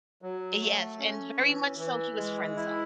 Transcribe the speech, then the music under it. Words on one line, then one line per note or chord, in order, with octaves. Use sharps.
Yes, and very much so he was friend zoned,
F#3
A3
C#4
E3
E3
G#3
E4